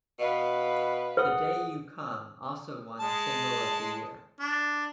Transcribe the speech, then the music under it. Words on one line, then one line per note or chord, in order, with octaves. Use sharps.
"The Day You Come" also won "Single of the Year".
B2 B4 F5
G#4 B4 F#5 D#6
G#3 A5
D4